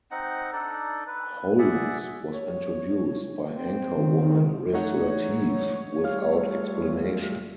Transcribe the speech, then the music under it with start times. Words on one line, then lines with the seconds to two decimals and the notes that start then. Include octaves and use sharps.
Holmes was introduced by anchorwoman Riz Lateef without explanation.
0.11 C4 D#4 D#5 F#5
0.53 D4 D#4 A4 D5
1.07 B4
1.59 G#4 D5 E5 F#5
2.34 C#5
3.57 C4
3.97 D#3
4.73 E3 A3 D#4 C#5 F#5
6.04 G3 A3 F4 F5 F6